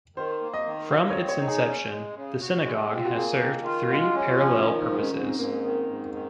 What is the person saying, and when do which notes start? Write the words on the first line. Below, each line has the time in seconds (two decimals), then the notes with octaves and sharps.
From its inception the synagogue has served three parallel purposes.
0.16 D#3 C5
0.41 A#3
0.54 D#5
0.66 D#3
0.91 F#3 F5
1.10 C#5
1.16 C4
1.29 C#5
1.41 D#4
1.48 G#4
1.66 C#4
1.90 G#3
2.15 C#3
2.41 F#4
2.65 G#3
2.91 C4 F4
3.05 F#4
3.16 A#3 G#4
3.40 D#3
3.64 F4
3.90 G#3 F#4
4.15 C#4
4.27 F4
4.39 F3
4.64 D#3 D#4
4.83 D#4
4.89 G#2
5.02 C#4
5.15 G#2
5.21 C4
5.39 G#2 A#3
5.64 D#3
5.89 G#2
6.14 D#3